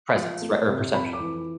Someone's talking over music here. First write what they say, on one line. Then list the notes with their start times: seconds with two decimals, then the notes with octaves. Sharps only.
presence, right, or perception
0.15 F3
0.42 A3
0.68 C3
0.93 F2 B5
1.13 D6
1.20 E3